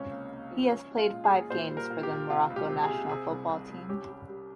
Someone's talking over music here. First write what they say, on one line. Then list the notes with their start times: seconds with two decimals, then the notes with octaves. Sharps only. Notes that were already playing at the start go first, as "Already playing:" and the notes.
He has played five games for the Morocco national football team.
Already playing: C#2 C3 C#4
0.11 A#3
0.31 A#3
0.51 F3
0.71 C#4
0.91 G#3
0.97 F4
1.11 A#2
1.24 G#4
1.31 A#2
1.50 A#2 C5
1.70 G3
1.77 A#4
1.90 A#2
2.03 G4
2.10 A#2
2.30 C3 F4
2.50 C#2
2.56 G4
2.69 C3
2.83 G#4
2.89 C3
3.09 C3 G#4
3.30 C2
3.49 C2
3.69 C2
3.89 C#4 G4
4.09 G3
4.29 G3